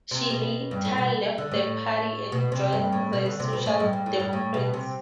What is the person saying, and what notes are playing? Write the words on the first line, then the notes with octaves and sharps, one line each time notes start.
She later left the party and joined the Social Democrats.
C3
B2
G2
A2
B2
D3
A2
B2
C3
G2
A2
B2
D3
C3
B2
A2
G2
G2
A2
G2
A2
B2
C3